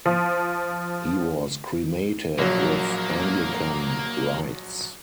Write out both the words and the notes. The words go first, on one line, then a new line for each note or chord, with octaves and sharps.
He was cremated with Anglican rites.
F3
A#1 F#3 A#3